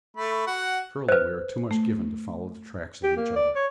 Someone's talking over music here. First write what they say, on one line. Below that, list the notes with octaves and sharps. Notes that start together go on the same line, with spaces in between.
Surely we are too much given to follow the tracks of each other.
A3 B5
F#4 F#5
B4 C5
A3
G4
A#3
D5
C#5